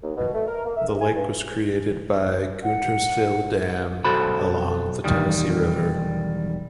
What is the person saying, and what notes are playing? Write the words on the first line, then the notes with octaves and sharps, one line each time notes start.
The lake was created by Guntersville Dam along the Tennessee River.
D#2
B2
A3
A#4
A#3
E5
G#2
G#5
G2
F#5
B1 F#4 A4 C5 B5
B1 E2 D#3 G3